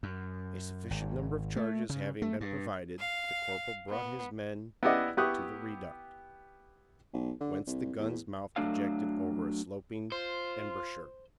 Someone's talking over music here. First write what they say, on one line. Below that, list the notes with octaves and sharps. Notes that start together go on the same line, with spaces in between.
A sufficient number of charges having been provided, the corporal brought his men to the reduct, whence the gun's mouth projected over a sloping embrasure.
F#2
G#1
A3
C#3
A3
G2
F5
B3
B3 E4 G4 D5 D#5 F#5
B3 E4 G4 C#6 D#6 F#6
B1
D3
C2
E2
F#3 A3 D4 C#5 F5
F4 C5